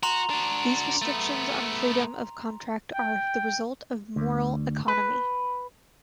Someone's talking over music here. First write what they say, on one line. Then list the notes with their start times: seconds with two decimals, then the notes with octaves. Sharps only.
These restrictions on freedom of contract are the results of moral economy.
0.03 F#4 A#5 C6 F7
0.30 D4 F#4
1.02 A3 B3
2.95 G5
4.16 D2
4.88 B4